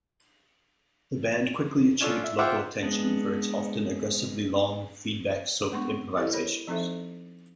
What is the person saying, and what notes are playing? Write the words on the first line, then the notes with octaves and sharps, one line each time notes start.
The band quickly achieved local attention for its often aggressively long, feedback-soaked improvisations.
C#4 D4 F4 A4
E5
F4 C5 E5 F#5 G5 D6
G#3 B3 D4
G#3 A3 B3 D4 C6 C#6
E4 G4 A4 C5 D#5
A#4 C#5 B5
F3 C4 D#4 A4 C5 E5